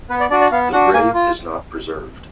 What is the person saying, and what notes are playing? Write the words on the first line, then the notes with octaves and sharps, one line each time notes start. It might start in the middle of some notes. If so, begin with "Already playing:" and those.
The grave is not preserved.
B3 B4
D5
D4 F#4 D5
D5
B3 F5
D4 F#4 F#5
A#3 G#5
F4